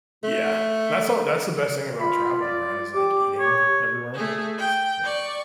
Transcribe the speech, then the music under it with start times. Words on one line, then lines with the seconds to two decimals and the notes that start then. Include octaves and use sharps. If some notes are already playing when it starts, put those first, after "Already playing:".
Yeah. That's all that's the best thing about traveling, right, is like eating everywhere. It's, yeah.
0.24 A3
2.00 F4 B5
2.41 D5
2.94 G4 D6
3.39 C#5
4.14 A3 G#4
4.58 G5
5.03 D5 C#6